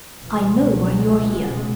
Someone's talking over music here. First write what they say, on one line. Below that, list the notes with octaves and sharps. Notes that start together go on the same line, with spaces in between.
'I know why you are here.
C#2 B2 E3
F#3
G#3
G#3